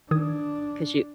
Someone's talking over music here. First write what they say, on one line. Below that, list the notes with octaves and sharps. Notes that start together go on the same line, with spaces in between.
'Cause you
D#3 D4 D#6 G#6